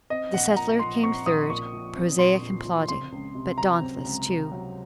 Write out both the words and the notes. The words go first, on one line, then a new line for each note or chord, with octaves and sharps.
The settler came third, prosaic and plodding, but dauntless too.
C4 D#5
A#1 F#5
A#2 A#5
F3 C6
C4 C#6
A#1 D#6
A#2 C#6
F3
C4
A#1 C6
A#2
F3
C4 C6
C#2
C3
F#3 A#5
C4
C#2
C3
F#3